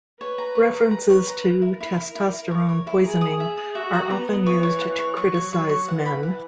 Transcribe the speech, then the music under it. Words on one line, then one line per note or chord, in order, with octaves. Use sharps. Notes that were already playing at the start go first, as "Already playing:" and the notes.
References to testosterone poisoning are often used to criticize men.
B4 C#5
A#5
C#5
A#5
B4 A#5
C#5
A#5
A#5
E4 A#4
E4
E4
E4
E4
C#5
C#5
E4
G#4 A#5
D#6
E5
D#6
F#4 E5
A#5
B3 A#5
D#6
E3 C#5
C#5
F#5
C#5
F#3 C#6
C#5
C#5
C#6
E3 F#5
B5
F#5